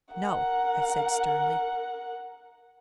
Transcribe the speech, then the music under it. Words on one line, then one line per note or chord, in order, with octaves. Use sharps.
"No," I said sternly.
A#4 F#5